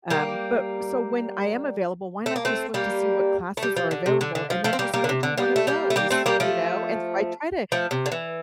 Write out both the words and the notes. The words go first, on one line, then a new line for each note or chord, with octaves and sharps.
Um, but so, when I am available, why not just look to see what classes are available and then just go do one of those? You know? And so, I try to
G3 A#3
A3
A#3
A3 C4
G3 A#3
A3
G3
F3
D3
C3
D3
D3
F3
F3 A3
C4
G3 A#3
G3 A#3
D3
C3
D3
G3 A#3
A3
G3 A#3
A3
G3 A#3
A3 C4
G3 A#3
F3 A3
F3 A3
C3
D3
E3